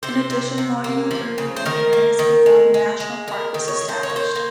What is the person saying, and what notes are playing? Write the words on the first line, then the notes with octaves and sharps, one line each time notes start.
In addition logging occurred in many areas before the national park was established.
C3 C5
C3
C3
A#3
F3
C#3
C5
D#3 A#4
A#3
D#3
G#3
G#3
G#3
G#3 A#4
D#3
C#5
D#3
C5
C#5
A#3
C5
A#3